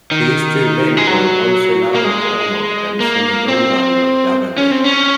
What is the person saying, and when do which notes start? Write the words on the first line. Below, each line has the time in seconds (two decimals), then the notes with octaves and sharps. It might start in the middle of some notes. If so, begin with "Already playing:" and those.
These two men were Bonsilao of Ormoc and Sinirungan of Dagami.
0.11 D#3
0.97 G#3
1.07 F#3
1.95 A#3
2.04 G#3
3.00 A#3
3.48 C4
4.58 C#4
4.71 C4
4.84 C#4